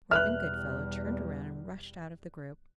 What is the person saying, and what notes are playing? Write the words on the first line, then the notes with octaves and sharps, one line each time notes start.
Robin Goodfellow turned around and rushed out of the group.
E2 B2 G3 B4 E5 F6 F#6